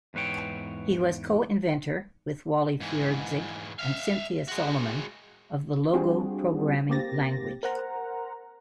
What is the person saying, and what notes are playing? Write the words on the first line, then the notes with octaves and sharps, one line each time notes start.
He was co-inventor, with Wally Feurzeig and Cynthia Solomon, of the Logo programming language.
E2 G#2 B4 C#5 G5
G#2 E3
E5 F5
G#3 F#4
G3 C4 D4 F4 F#4 G#4
A#3 C4 G4 A6 A#6
A#4 C5 F#5 A#5